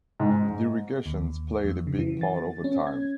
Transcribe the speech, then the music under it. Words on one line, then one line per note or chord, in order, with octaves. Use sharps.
The irrigations played a big part over time.
G#2
D#2
F2
C#3
E3
A6
C#4
G#6